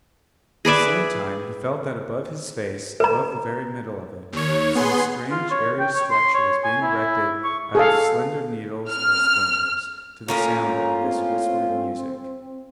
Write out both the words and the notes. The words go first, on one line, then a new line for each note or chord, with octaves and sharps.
At the same time he felt that above his face, above the very middle of it, some strange airy structure was being erected out of slender needles or splinters, to the sound of this whispered music.
G#4 B4 D5 E5
B4 A#5
D#2 C#5
B3 G#4 C6
F4
C#5
G5
C#5
C6
C#5
G#5
E4
C#6
G#4 A4 F5
F6
A2 A#3 C#4 F4 A#5
C4